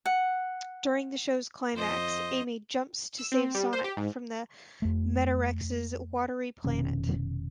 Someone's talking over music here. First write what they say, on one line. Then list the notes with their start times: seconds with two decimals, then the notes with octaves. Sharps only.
During the show's climax, Amy jumps to save Sonic from the Metarex's watery planet.
0.06 F#5
1.74 F2 C5 D#5
3.19 E6
3.32 C4
3.55 G3
3.73 C5
3.84 G4
3.97 G#2
4.82 F2 A3
6.64 F1 B2 D#3 C#4